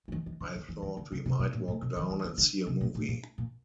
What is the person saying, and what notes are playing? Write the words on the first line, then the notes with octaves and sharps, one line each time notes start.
I thought we might walk down and see a movie.
E3
D#3
D#3
D3
D#3
E3
D#3
D3
C#3
C3
B2
A#2
A2
B2
D#3
E3
D#3
D3
C3
A#2
A2
A#2
A#2